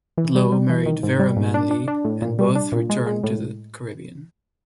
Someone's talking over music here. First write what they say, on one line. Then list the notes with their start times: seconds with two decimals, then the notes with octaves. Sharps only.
Ludlow married Vera Manley and both returned to the Caribbean.
0.18 E3
0.35 G3
0.52 G3
0.69 E3
0.86 D#3
1.03 G#2
1.20 G3
1.37 G#2
1.54 D4
1.71 D4
1.88 D4
2.04 A2
2.22 A#2
2.39 G3
2.55 D4
2.72 A#2
2.90 G#3
3.07 G#3
3.24 A2